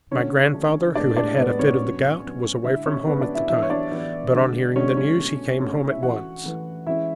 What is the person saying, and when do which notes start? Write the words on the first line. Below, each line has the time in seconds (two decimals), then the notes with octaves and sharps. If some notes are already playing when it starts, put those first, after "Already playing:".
My grandfather, who had had a fit of the gout, was away from home at the time, but on hearing the news he came home at once.
0.11 D3 A3 C#4 D4 C#5
0.54 D3 A3 D4
0.95 A2 G#3 B3 D4 D5
1.17 D4 D5
1.38 A2 G#3 B3 D4 B4
1.59 C#4 C#5
1.80 B2 F#3 B3 D4
2.23 B2 F#3 B3 D4
2.64 D3 G#3 D4 E4 E5
2.86 C#4 C#5
3.06 D3 G#3 B3 D4 B4
3.21 D4 D5
3.34 E4 E5
3.49 E3 B3 D4 E4 E5
3.63 C#5
3.70 D4 D5
3.92 E3 B3 D4
4.34 D3 G#3 D4
4.76 D3 G#3 C#4 D4 C#5
4.97 C#4 C#5
5.18 B2 A3 D4
5.60 B2 A3 C#4 D4 C#5
5.88 E4 E5
6.02 E3 A3 C#4 F#4 F#5
6.44 E3 A3 C#4
6.87 E3 G#3 C#4 E4 E5